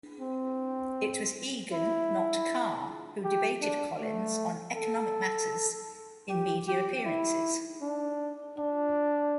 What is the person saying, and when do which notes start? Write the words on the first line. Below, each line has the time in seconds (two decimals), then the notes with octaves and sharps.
It was Egan, not Carr, who debated Collins on economic matters in media appearances.
0.20 C4
1.73 E4
3.24 G4
3.62 D4
4.00 A3
4.76 A4
6.29 G4
6.67 G4
7.05 E4
7.82 D4
8.58 D4